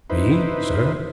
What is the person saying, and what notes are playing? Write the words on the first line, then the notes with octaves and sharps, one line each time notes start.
"Me, sir?"
D#4 E4 B4 C5